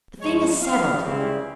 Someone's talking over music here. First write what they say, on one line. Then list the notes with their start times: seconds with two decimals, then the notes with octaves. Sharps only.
The thing is settled.
0.20 G2 F3 G#3 C#5
0.61 F5
1.02 C#2 C#3 G3 C4 E4